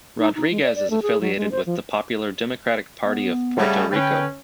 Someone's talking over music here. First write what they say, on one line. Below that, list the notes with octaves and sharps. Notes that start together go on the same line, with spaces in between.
Rodriguez is affiliated with the Popular Democratic Party of Puerto Rico.
D#4
D#4
G#3
D5
D5
A3
G#4
F#3
G#3
C5
F3
B3
C#3 G3 A3 F#5
D3 C#4 B4 G5